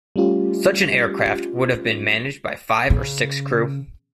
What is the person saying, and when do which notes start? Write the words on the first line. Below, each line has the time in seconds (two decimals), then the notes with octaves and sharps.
Such an aircraft would have been managed by five or six crew.
0.16 G3 A3 C#4 F4 G4
2.90 C#3